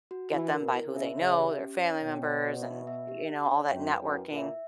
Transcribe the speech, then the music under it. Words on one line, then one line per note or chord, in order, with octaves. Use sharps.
get them by who they know, their family members, and, you know, all that networking.
F#4
E3 E4
A#4
B2
E4
C#3
E5
C#3 E5
G4
C#4
C#5
B2 G5
C#5
F#4
E5
E5
G4
D4
C#5
F#2 G5
B4
F#2
E4
A#2
E5